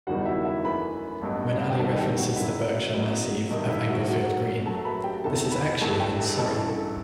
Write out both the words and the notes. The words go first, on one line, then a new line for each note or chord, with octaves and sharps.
When Ali references the Berkshire Massiv of Englefield Green, this is actually in Surrey.
F#1 E2 D#3 G3 F#4 F#5
E4 E5
E4 E5
F#2 E3 A3 B4 B5
A1 G2 F#3 B3
F#5
G5
F#1 E2 D#3 G3 B3 A4 A5
G4 G5
F#4 F#5
F#1 F#2 F#3 E4 E5
A1 A2 F#3 B3
G1 G2 D#3 G3 D#4 D#5
E4 E5
F#4 F#5
F#2 F#3 A3 F#4 F#5
F#2 F#3 A3 A4 A5
B4 B5
G4 G5
E2 C3 D#3 A3 A4 A5
B4 B5
G1 G2 E3 A3 A4 A5
G4 G5
A4 A5
A1 G2 E3 A4 A5
A4 A5